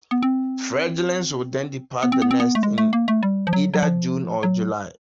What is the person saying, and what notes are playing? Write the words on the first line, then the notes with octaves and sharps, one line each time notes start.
Fledglings will then depart the nest in either June or July.
B3
C4
B3
C4
B3
C4
B3
A3
G#3
A3
A#3
A3
G3
F3
F#3
F#3
F3
F#3